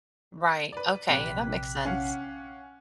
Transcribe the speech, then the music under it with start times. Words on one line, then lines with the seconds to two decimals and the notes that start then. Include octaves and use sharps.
Right. Okay, that makes sense.
0.72 B4 D5
1.10 A#1 C3 G5 D6 F#6 B6
1.85 C#4 F5 F#5